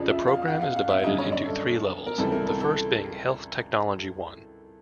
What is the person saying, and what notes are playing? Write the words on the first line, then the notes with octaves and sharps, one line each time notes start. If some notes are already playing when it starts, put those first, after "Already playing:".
The program is divided into three levels, the first being Health Technology One.
Already playing: F2 C#3 F3 D5
E5
F5
F#5
F5
F5
E5
F#2 D3 G3 D#5
C#5
D5
A4
A#4
C#2 C3 E3 G3 A4
A#4
A4
A4